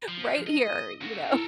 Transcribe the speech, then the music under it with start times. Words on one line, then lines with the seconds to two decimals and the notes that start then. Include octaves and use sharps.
right here." You know?
0.08 F3
0.47 D#5
1.01 C#3 F#4
1.31 E4 A4 A#4